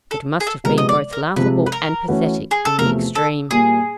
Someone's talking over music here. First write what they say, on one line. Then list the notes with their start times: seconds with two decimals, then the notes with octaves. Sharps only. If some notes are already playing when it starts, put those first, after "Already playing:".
It must have been both laughable and pathetic in the extreme.
0.11 A4
0.40 G#4
0.47 A4
0.64 C3 F3 G#3 B3 A#4
0.78 D#5
0.89 D5
1.13 A#4
1.36 C3 F3 G#3 C4 B4
1.66 B4
1.72 A#4
2.08 E3 A3 C#4 F#4 B4
2.51 G#4
2.65 A4
2.78 E2 C3 F3 A3 A#4
3.15 A4
3.50 A#2 G3 A#3 G#4